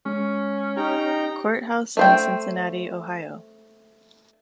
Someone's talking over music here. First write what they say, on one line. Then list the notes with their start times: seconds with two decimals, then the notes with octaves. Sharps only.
Courthouse in Cincinnati, Ohio.
0.06 G#3 C#4
0.77 D#4 G4 G5 A#5
1.97 A3 C5 G5